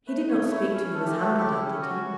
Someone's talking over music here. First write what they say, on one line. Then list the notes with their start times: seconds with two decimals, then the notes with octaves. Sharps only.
He did not speak to you as Hamper did, did he?'
0.07 A3 B4
0.28 A3 C#5
0.51 E4 C#5
0.73 C#4
0.95 A3 A4
1.05 G4
1.17 A3 A4
1.38 E4 G4
1.61 C#4
1.82 F#4